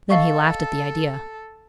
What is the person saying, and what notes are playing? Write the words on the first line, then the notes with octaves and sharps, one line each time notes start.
Then he laughed at the idea.
A4 D#5 F5 C#6